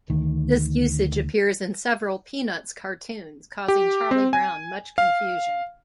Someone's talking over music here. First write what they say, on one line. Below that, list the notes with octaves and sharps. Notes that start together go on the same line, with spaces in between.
This usage appears in several "Peanuts" cartoons, causing Charlie Brown much confusion.
D2 D#3
G4
C4
G#5
F5